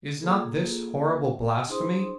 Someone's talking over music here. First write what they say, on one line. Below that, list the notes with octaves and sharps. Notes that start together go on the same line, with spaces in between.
Is not this horrible blasphemy?
A#3 F4 G#4 A4
D4 E4 G#4 C5 C6 D#6